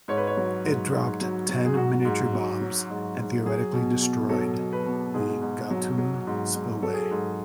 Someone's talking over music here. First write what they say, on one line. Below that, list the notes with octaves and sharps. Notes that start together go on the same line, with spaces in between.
It dropped ten miniature bombs and theoretically "destroyed" the Gatun spillway.
G#2 C#5
B4
C#5
F#3
G#2
G#2
F#3
F#3
G#4
G#2 F#4
G#2
F#3
F#3
G#2
G#2
F#3 G#4
B2
B2
F#3 A4
B2
B4
B2
G#2 G#4
G#2
F#3
F#3
G#2
G#2
F#3 A4
G#4
A4
G#2